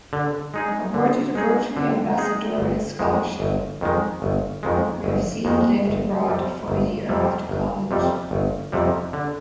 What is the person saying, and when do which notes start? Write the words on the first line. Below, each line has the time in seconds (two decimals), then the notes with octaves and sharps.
Awarded a Rotary Ambassadorial Scholarship, Revsine lived abroad for a year after college.
0.13 D3
0.54 G#3 D#4 G#4
0.94 D3
1.35 G#3 D#4 G#4
1.77 D3
2.18 G#3 D#4 G#4
2.58 G1
2.99 F2 D#3 G#3
3.40 G1
3.81 F2 D#3 G#3
4.22 G1
4.63 F2 D#3 G#3
5.04 G1
5.45 F2 D#3 G#3
5.86 G1
6.26 F2 C3 G3
6.68 G1
7.09 F2 C3 G3
7.49 G1
7.91 F2 C3 G3
8.31 G1
8.72 F2 C3 G3
9.13 D3